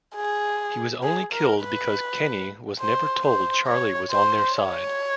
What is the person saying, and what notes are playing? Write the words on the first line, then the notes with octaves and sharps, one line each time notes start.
He was only killed because Kenny was never told Charlie was on their side.
G#4
G#4
A#4
B4
C5
C5
C#5
C5
C#5